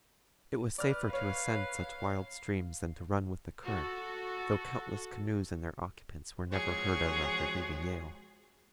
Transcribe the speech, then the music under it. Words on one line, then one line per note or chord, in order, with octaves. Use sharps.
It was safer to ascend such wild streams than to run with the current, though countless canoes and their occupants were never heard of after leaving Yale.
B4 D5 F6
C#5 F5
F#4 A4
F3 G#3 C4 F#4 G#4 C#5